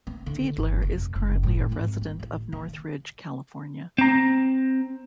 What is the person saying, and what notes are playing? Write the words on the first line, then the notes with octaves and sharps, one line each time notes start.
Fiedler is currently a resident of Northridge, California.
B3
D3
G1
F1
F#1
A2
G#1
G3
A1
D#3
C4 A#5